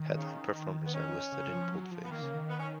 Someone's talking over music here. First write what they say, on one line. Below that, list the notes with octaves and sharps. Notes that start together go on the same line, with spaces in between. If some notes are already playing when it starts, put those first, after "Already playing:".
Headline performers are listed in boldface.
Already playing: D#3
C#3
B3
C#4
C#3
F3
F#3
F3
B3
D#3 A#3
C#3
D#3
B3
C#4